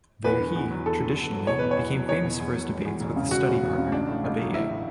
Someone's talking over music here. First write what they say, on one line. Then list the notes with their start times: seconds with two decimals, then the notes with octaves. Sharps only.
There he, traditionally, became famous for his debates with his study-partner Abaye.
0.24 E2 B4
0.40 D3
0.55 E2
0.71 F#3
0.86 E2 A4
1.01 D3
1.16 E2
1.31 F#3
1.47 E2 C#5
1.59 B2 B4
1.71 C#5
1.78 E2
1.93 F#3
2.08 E2 C#5
2.23 B2
2.40 E2
2.55 F#3
2.69 E1
2.85 E2
3.00 E1
3.16 C#3
3.31 E1 F#4
3.47 E2
3.63 E1
3.78 C#3
3.92 A1 D4
4.08 A2
4.24 A1
4.39 F#3
4.54 A1 E4
4.69 A2